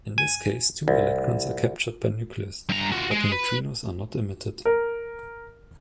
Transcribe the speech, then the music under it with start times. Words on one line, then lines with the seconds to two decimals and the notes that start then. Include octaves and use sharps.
In this case, two electrons are captured by nucleus, but neutrinos are not emitted.
0.18 G#5
0.88 C2
2.69 G2 A#5
2.92 F4 F#4
3.11 G#3
3.32 B4
4.65 A#4